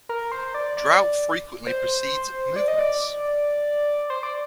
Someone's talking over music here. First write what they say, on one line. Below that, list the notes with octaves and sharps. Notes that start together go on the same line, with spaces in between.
Drought frequently precedes movements.
A#4
C5
D5
D5
C5
D5
D#5
D5
C5
D5